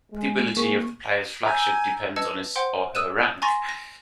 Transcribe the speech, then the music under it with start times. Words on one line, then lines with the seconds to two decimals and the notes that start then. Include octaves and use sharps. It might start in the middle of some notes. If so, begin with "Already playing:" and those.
The ability of the player's flagship depends on his or her rank.
0.11 G#3
0.57 A#3 C4 G#4 C#6
1.46 G#5 A#5 E6 G6
2.16 B4 D#5 A5 E6 G#6 C#7
2.56 C5 F#5 G5 C6
2.95 D#6 E6 F#6 D#7 E7
3.23 D#6
3.42 G#5 A#5 C6 C#6 A6 A#6
3.69 A#6